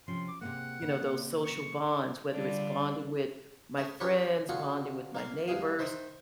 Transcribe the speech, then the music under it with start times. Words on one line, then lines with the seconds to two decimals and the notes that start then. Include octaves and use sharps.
you know, those social bonds, whether it's bonding with my friends, bonding with my neighbors,
0.08 C3 F3 C#4 C6
0.28 D6
0.41 C3 G#3 A#3 F#5
0.82 A#2 C#3 A#3
1.44 C#6
2.31 D3 G3 D4 F4 D5
3.77 A3 E5 G#5 D#6
4.00 C#4 D4 G4 A#4 B4 C#5
4.49 D3 F4 F#4 G#4
5.15 A#3 A#4 F5
5.48 E2 G2 G#4 F5
5.79 D#3 C5 D#5 E5